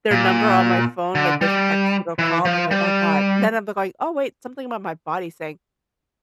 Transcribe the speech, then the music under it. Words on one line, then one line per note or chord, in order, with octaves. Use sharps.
their number on my phone, like, they've texted or called, they're like, "Oh god," and then I'd look, like, "Oh, wait." Something about my body saying
A#2
D3
G3
E3
F3
G3